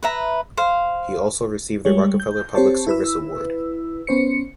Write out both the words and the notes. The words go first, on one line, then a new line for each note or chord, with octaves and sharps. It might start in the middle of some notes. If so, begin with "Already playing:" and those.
He also received the Rockefeller Public Service Award.
B4 E5 A#5
C5 F5
G3 G#3 C#5
G6
C4 G4 C5 C#5 A5
E4 B4 E6
B3 C#4 C5 C#7